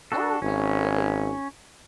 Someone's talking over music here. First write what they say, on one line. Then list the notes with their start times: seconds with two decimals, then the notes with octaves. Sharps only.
Oh, okay. Really?
0.12 D4 F#4 A4
0.42 G#1 C#4